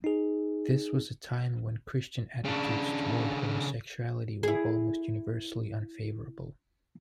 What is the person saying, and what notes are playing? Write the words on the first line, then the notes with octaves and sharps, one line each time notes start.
This was a time when Christian attitudes toward homosexuality were almost universally unfavorable.
D#4 G#4
C#3 D4
E4 G#4